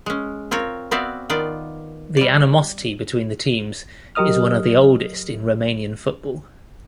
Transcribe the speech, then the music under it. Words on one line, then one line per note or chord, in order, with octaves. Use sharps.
The animosity between the teams is one of the oldest in Romanian football.
G#3 C#4
C4 F4 A#4 C#5
B3 C4 F#4 D5 E5 F5
D#3 B3 F4 D5
G3 D5
F#3 G4 A#4 D#5 D#6 F6